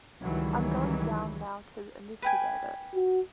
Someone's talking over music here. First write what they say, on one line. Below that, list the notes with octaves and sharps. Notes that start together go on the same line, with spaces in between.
I'm going down now to investigate it.
C#2 D#3 E3 F#3 G3
B4 G5 G#5
F#4